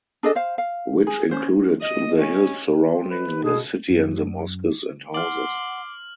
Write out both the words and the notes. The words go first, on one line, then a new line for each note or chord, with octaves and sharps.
Which included the hills surrounding the city and the mosques and houses.
D4 G#4 A4 D#5
C5 F5
F5
G#4
C#4 C5
D#5
C#4
C4
B4
B2 G#4
F#2
F#5 C6 D6 F6 F#7